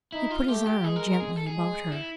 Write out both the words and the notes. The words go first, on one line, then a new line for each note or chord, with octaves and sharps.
He put his arm gently about her.
D#4 E4
F4
A3 G4
G4
G#3 G#4
A#4
A#4
G#4
A4
G#4
G#3
E4